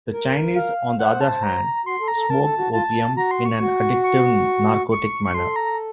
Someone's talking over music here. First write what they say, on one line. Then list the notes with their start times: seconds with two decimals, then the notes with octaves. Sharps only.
The Chinese, on the other hand, smoked opium in an addictive narcotic manner.
0.12 A#4
0.56 F5
0.99 C5 F#5
1.21 A5
1.43 A#5
1.86 F#4 C6
2.00 A4
2.08 A#5
2.16 A4
2.29 A#4 A5
2.44 A4
2.58 F#4
2.73 F4 A5
3.16 F#4 A#5
3.31 C6
3.46 C#6
3.61 F#4
4.04 C#6
4.91 C#6
5.25 C#6
5.34 A4 C6
5.56 A#5